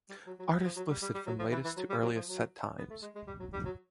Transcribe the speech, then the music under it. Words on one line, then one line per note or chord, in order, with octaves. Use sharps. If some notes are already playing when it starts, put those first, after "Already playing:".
Artists listed from latest to earliest set times.
G3
F#3
F#3
E3
F3
F#3
G3
G3
G3
F#3
F3
E3
E3
F#3
G3
F#3
F3
F#3
B3
A3
G#3
G#3
G3
F#3
G3
F#3